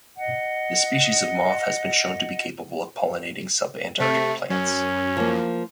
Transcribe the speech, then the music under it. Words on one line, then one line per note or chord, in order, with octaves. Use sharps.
This species of moth has been shown to be capable of pollinating subantarctic plants.
D#5 F#5
C3 A3
F#2 C#4
F3 A#3